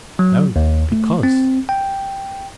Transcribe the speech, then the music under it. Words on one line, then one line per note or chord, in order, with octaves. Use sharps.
No, because.
F#3
D#2
A3
C4
G5